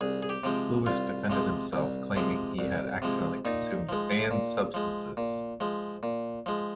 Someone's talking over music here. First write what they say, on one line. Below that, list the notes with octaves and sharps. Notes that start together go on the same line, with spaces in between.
Lewis defended himself, claiming that he had accidentally consumed the banned substances.
C2 G#4
G#4
G4
C3 F3 G#3
C2 F4
C3 F3 G#3
C2
C3 F3 G#3
C2
C3 F3 G#3
A#2 D#4
F3 G#3
A#2
F3 G#3
A#2
F3 G#3
A#2
F3 G#3